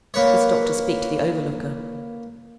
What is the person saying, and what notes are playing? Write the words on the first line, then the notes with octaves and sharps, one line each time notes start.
He stopped to speak to the overlooker.
A#3 B4 C#5